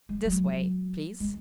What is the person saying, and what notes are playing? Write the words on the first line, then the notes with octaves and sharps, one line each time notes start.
"This way, please."
G#3
F#3
G#3